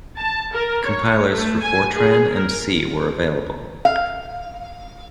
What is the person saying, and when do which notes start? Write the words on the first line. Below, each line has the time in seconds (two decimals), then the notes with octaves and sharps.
Compilers for Fortran and C were available.
0.16 A5
0.52 A#4
0.84 C#5
1.29 A3
1.61 G#5
1.95 G#4
2.32 A#4
3.85 F5